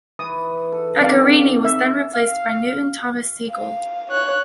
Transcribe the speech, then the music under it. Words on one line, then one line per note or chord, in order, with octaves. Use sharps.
Pecorini was then replaced by Newton Thomas Sigel.
E3 D#6
A4
D#3 C4 D5 F5 D6
E5
F5
F5
C#5 F#6